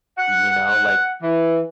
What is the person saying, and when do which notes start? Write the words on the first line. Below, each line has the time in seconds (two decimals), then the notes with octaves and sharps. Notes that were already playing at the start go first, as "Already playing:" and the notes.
You know, like
0.18 F#5
1.21 E3